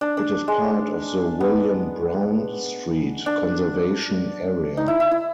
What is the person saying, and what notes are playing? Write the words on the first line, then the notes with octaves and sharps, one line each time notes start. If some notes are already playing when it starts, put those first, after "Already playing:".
It is part of the William Brown Street conservation area.
D4
D4
G#3
B3
D4
D#4
E4
E4
E4